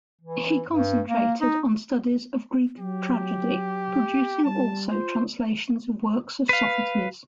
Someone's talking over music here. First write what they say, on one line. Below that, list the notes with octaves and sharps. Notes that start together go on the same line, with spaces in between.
He concentrated on studies of Greek tragedy, producing also translations of works of Sophocles.
E3
G2
A#3
D#4
F#3 G4
G3 A5
F4 C5
B4 F5